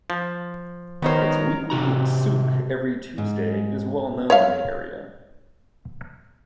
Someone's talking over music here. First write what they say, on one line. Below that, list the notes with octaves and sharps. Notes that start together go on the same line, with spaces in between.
Its weekly souk every Tuesday is well known in the area.
F3
D#3 B3 D#4 A#4 C5 C#5 A#5
C3 F#4 A#5
G#2
C#5 E5 F5